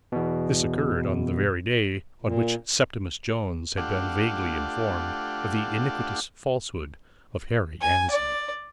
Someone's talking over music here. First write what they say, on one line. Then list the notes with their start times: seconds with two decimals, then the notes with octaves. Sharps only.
This occurred on the very day on which Septimus Jones had been vaguely informed of the iniquitous falsehood of Harry Annesley.
0.12 E2 B2
2.22 A#2
3.77 A3 D4 F4 G4 F#5
7.81 G#5
8.11 D5